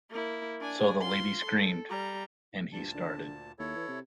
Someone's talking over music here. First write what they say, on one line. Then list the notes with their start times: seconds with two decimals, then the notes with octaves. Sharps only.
So the lady screamed, and he started.
0.10 A#3 E4
0.60 D4 G#5
1.00 F4 C6
1.45 A4
1.89 G3 A#5
2.73 D2 G2 A#2 A5
2.94 D3
3.59 D#2 E4 A4 C#5
3.76 E3
3.88 C3